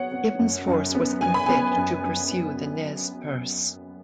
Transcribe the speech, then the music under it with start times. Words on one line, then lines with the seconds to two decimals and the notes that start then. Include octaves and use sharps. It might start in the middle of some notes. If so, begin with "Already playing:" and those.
Gibbon's force was unfit to pursue the Nez Perce.
Already playing: F#3 B3 C#5 F#5
0.12 B3
0.39 F#2
0.67 F#2
0.95 B3
1.21 F#2 G#5
1.34 B5
1.46 B3 G#5
1.76 F#2
2.04 F#2
2.31 F#2